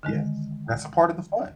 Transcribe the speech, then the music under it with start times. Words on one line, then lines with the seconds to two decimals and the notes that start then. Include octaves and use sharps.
Yes, that's a part of the fun.
0.03 D3 D#3 G#3